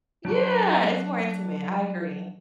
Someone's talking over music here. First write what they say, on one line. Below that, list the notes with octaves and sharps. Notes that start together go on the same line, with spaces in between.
Yeah, it's more intimate, I agree.
F#3 D4 F#4 D5